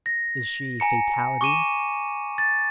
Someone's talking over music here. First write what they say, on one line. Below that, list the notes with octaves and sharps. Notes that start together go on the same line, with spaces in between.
Is she Fatality?
A#6
G#5 A#5 C#7
C#6 D6 D#7 E7
A6